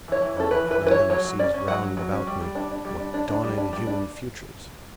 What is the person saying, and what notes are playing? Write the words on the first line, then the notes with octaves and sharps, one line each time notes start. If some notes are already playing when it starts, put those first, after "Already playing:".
Oh, how many seas round about me, what dawning human futures!
E3 C#5
E3
C#4 A4
E3 B4
E3
B4
E3
B4
E3 C#5
F#3 C#5
F#3
C#4 D5
C#4
F#3 F#5
F#3
F#3
C#4
G3
G3
D4
D4
G3
D4
D4
D4
G3
D4
G3
D4